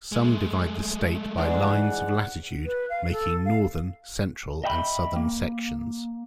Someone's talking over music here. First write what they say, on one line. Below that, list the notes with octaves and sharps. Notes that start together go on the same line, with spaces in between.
Some divide the state by lines of latitude making northern, central and southern sections.
G#3 A3
G#2 E3 D4 F#5
B4
F5
A4
F5
D#5 E5 G5 A#5 B5
A#3